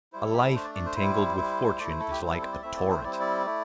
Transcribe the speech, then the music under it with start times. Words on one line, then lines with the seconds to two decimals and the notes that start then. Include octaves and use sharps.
A life entangled with Fortune is like a torrent.
0.13 G3 E4 C5
0.24 A4
0.33 G4
0.44 A4
0.54 A3 D4 C5
0.64 D5
0.75 D5
0.86 C5
0.95 G3 E4
1.37 G3 E4
1.79 A3 E4 D5
1.90 C5
2.00 A4
2.11 G4
2.21 G3 C4 E4 C5
2.32 A4
2.42 C5
2.52 D5
2.62 A3 C4 E4 E5
2.76 D5
2.90 C5
3.04 G3 C4 E4 D5
3.12 C5
3.20 D5
3.45 A3 E4